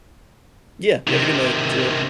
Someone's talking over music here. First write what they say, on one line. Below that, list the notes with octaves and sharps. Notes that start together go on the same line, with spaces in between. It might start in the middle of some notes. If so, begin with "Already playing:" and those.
Yeah, you have a good night. See you.
C3 D#3